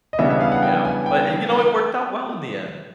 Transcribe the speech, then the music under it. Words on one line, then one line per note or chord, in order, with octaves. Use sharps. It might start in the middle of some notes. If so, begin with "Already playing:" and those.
Yeah, but you know, it worked out well in the end.
D#5
C#3 E3 G3 B3 D4 E5
E5
F5
F#5
G5
G#5
G5